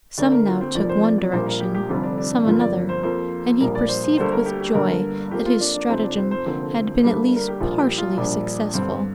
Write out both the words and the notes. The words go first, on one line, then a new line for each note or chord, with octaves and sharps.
Some now took one direction, some another, and he perceived with joy that his stratagem had been at least partially successful.
D2 D3 A#3 D5
A#4
F4
C4
F1 F2 F3 A#3 D5
C5
D5
D5
A#1 A#2 G3 A#3 C5
A#4
G4
G4
F1 F2 D3 G3 F4
D4
D4
D4
G1 F2 F3 A#3 F4
D5
C5
F2 F3 A#3 C5
A#1 A#2 G3 A#3 A#4
D5
C5
C5
D2 D3 G3 A#3 C5
A#4
G4
G4
G1 G2 D3 A#3 A#4
F2 F3 A#3 G4
F4
D4
D4
F1 F2 F3 C4
D4
C5
C5
F1 F2 D3 F3 A#3 C4
D2 D3 G3 A#3 D4
A#4
G4
A#1 A#2 G3 A#3 F4
G4
F4
A#1 A#2 G3 A#3 D4
G1 G2 D3 C4